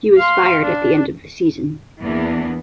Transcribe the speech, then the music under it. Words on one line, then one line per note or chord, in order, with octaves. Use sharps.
He was fired at the end of the season.
F5 C6
D4
E2 E3 A#3 B3 D4